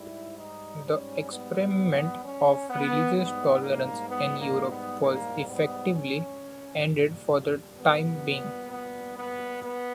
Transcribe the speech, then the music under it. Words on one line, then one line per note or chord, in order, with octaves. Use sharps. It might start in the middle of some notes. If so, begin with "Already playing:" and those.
The experiment of religious tolerance in Europe was effectively ended for the time being.
Already playing: G#2 G3 E4
D#4
C#4
B3
C#4
B3
G#2 G3 B3
A#3
B3
A#3
B3
A#3
B3
C#4
A#2 G3
B3
B3
B3
B3